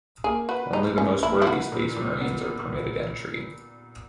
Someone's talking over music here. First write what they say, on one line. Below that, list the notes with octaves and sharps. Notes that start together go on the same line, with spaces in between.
Only the most worthy Space Marines are permitted entry.
A#3 G#4
F#4 B4
D#4 G#4
C#4 D#4
A#3 E4
E4
F#4 B4
A#2
A#2
B3